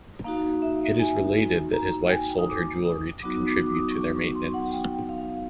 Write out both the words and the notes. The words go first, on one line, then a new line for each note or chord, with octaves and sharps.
It is related that his wife sold her jewelry to contribute to their maintenance.
A#3 D#4 F#4 F5
E5
G#5
A#5
G5
G#5
D#6
D6
D#6
F#3 B3 D#4 F#4 D6
D6
D6
D#6
C#6
D6
C#6
C6
F#5
G5
F5